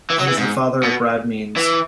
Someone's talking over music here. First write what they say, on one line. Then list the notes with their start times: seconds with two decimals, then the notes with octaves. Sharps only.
He is the father of Brad Means.
0.10 E3
0.19 F#3
0.28 E3
0.37 G#2
0.83 B2
1.57 E3